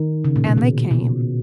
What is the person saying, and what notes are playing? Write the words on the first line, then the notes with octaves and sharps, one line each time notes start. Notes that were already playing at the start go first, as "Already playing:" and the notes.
And they came.
Already playing: D#3
C#3
A#2
B2
A#2
B2